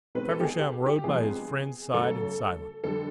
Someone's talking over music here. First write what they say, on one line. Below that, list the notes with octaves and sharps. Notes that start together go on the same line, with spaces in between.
Feversham rode by his friend's side in silence.
B2 G#3 C4 D#4 B4
A4
G4
G#4
G4
G4
C3 F3 G#3 B3 D4 G#4
F#2 C#3 F#3 A3 A4
F2 D3 G3 A4